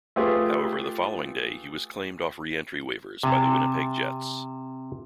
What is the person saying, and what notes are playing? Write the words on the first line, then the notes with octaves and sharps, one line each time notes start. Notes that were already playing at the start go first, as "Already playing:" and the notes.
However, the following day he was claimed off re-entry waivers by the Winnipeg Jets.
A3 F4 G4 G#4 B4
C3 G#5 A5